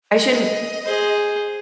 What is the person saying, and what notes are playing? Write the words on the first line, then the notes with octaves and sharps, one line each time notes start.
I shouldn't
D#5
G#4 C5